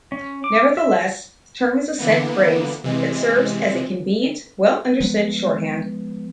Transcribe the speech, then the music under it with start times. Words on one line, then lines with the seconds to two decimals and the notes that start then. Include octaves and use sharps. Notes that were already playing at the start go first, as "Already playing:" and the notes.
Nevertheless, the term is a set phrase that serves as a convenient, well-understood shorthand.
0.12 C#4
0.44 D6
0.77 E5
1.99 D3 E3 A#3 B3
2.84 C3 E3 G#3
5.00 F3 G#3 B3